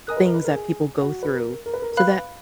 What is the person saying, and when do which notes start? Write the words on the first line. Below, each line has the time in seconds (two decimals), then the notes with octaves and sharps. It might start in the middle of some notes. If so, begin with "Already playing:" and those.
things that people go through so that
0.07 A#4 D#5 G#5 D#6 F#6
0.17 B4
0.26 A#4
0.34 B4
0.44 A#4
0.55 G#4
1.02 F#4
1.23 B4
1.34 A#4
1.66 A#4
1.74 B4
1.82 A#4
1.92 A#4
1.97 B4 F5 B5 F#6